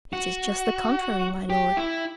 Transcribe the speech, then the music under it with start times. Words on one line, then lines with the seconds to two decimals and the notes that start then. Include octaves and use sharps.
'It is just the contrary, my lord!
0.13 F#4
1.50 G4
1.77 E4